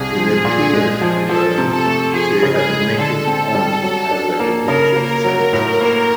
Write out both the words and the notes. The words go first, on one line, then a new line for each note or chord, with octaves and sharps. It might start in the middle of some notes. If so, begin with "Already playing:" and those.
It appears, however, to have lingered on as a religious centre.
Already playing: C2 C3 G#4
F3
A#2
G#3
F3
F3 A4
C3
A4
A3
F3 G#4
C#3
G#4
G#3
D3 A4
C4
G3
F#3
D4
A#3
C#3 A#4
A#3
F#3
A2
A#3